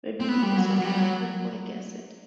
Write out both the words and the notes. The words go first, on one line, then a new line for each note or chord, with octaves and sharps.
Red meat is a source of lipoic acid.
C4
B3
G3
F#3
G3
F#3
G3
F#3